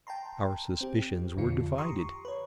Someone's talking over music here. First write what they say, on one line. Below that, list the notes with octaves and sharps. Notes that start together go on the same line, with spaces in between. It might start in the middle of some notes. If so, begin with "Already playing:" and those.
Our suspicions were divided.
G5 A5 A#5 C6
C4 G4
F2 D3 F4 C#7
G4 A#5 C6 C#6 D#6
B4 C#5